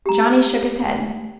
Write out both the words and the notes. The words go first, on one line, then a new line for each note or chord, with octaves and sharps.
Johnnie shook his head.
G4 A#5